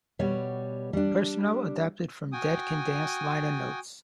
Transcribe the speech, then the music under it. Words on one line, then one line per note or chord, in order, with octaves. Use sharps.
Personnel adapted from "Dead Can Dance" liner notes.
B2 G3 C#5 F#5
G3 D4
F#4 G5 G#5 D#6